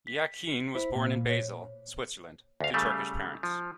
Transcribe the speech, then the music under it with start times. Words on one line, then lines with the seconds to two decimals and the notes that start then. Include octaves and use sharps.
Yakin was born in Basel, Switzerland, to Turkish parents.
0.07 B6
0.75 E4 C5
0.96 A#2
1.29 C#5
2.61 D2 F5
2.74 C#3 G3 A3
3.43 F3